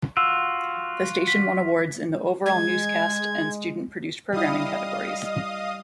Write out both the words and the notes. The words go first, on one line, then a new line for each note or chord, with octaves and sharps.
The station won awards in the "overall newscast" and "student produced programming" categories.
F4 F#4 E6
B6
G#3 G#6
G3 E4 D#5 F5 D#6